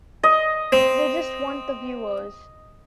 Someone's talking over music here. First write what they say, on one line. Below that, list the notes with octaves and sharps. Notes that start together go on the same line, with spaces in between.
They just want the viewers.
D#5
C4